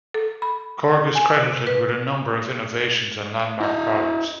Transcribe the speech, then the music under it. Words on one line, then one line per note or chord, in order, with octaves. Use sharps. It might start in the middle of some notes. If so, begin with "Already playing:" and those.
Korg is credited with a number of innovations and landmark products.
A4
B5
G#5
C3
B4
E4 D#5